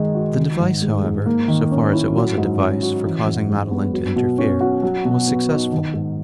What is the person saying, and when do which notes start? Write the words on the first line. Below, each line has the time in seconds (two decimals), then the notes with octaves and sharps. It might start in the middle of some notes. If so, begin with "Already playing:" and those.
The device, however, so far as it was a device for causing Madeline to interfere, was successful.
Already playing: D#3 G#3 D#4
0.15 F#4
0.37 D#3
0.60 G#2
0.82 G#3
1.04 G#2
1.26 A#3
1.48 D#3
1.71 C#4
1.93 E4
2.16 F#3
2.38 G#2
2.60 C#4
2.83 F#4
3.04 E3
3.26 F#2
3.49 G#3
3.71 B3
3.93 F#3
4.16 B2
4.38 C#4
4.61 F#4
4.83 F#3
5.05 B2
5.27 B3
5.49 D#4
5.72 D#3
5.94 G#2